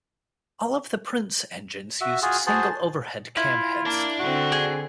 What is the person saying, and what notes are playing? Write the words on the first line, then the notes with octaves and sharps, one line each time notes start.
All of the Prince engines used single overhead cam heads.
F#4 E5
F4 F#4 G#4
F#4 G#4 C5 A5
E4 F4
A#3 D5 A5
D3 C4 F#4
G#4